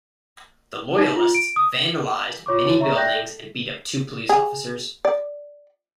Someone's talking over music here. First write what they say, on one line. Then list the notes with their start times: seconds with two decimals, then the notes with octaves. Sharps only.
The loyalists vandalised many buildings and beat up two police officers.
0.98 D#4
1.16 F4
1.35 D7
1.56 D#6
2.46 F4 C#5 C#6 D6
2.65 D#4 E4 F#4 C#5
2.79 C#5 E5 A#5 C#6
2.95 D5 E5 G5 F#6 G6 A#6
3.15 A4
4.29 G#4
5.05 D5